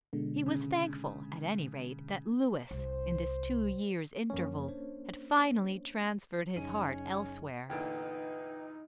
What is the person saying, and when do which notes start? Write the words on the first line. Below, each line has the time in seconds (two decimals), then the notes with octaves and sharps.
He was thankful, at any rate, that Louis in this two years' interval had finally transferred his heart elsewhere.
0.13 B2 D3 G#3
0.46 C#3
2.71 C2 C5
4.30 F#2 F3 A#3 C#4 C#5
4.68 D4 C5 C#5
6.56 F#1 C#4 D#4 D#7
7.70 E2 A#2 D3 D#4 B4 G5